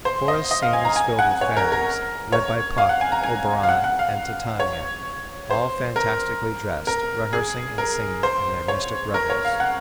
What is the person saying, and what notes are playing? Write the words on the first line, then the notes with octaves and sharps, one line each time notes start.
The forest scene is filled with fairies, led by Puck, Oberon and Titania, all fantastically dressed, rehearsing and singing in their mystic revels.
C5
D#5
D#5
F5
G#5
A#5
G#5
F#5
C#5
A#4
A#4
C#5
F5
F#5
G#5
A#5
G#5
F5
F#5
F#5
F5
C#5
C5
A#4
A#4
G#4
A#4
C5
C#5
A#4
C#5
F5
F#5